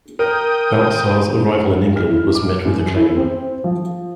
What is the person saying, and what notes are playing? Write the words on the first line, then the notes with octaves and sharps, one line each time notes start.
Baltzar's arrival in England was met with acclaim.
A#4 G5 D#6
F6
E4
D6
F#2
E4
C4
F3